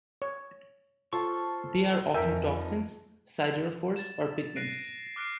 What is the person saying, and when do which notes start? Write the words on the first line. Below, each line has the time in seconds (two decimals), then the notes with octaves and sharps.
They are often toxins, siderophores, or pigments.
0.22 C#5
1.13 F4 A4 C5 C#6
2.14 F2 F3 D#4 A#4 E5 G5 G#5
3.96 A6 E7
4.56 F#6 A#6 C7 D7 D#7
5.16 D6 F6 F#6 C7 D7